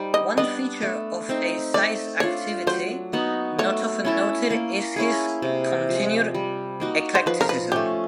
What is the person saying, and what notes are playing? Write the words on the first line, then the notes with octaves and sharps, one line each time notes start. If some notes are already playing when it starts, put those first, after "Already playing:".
One feature of Eisai's activity not often noted is his continued eclecticism.
Already playing: G3 D#4 C5
D#5
B3 D4 D#5
A3
C4 D#4
A3 D5
D4 F4 C#5
F#3 C5
B3 D#4 F#4
A3 C#5
C#4 E4 A4
A#3
C#4 E4 G#4
C3
F3 G#3
G3
A#3 D#4 F#4
C5
F3 B4
A#4
B4
A3 C#4 G4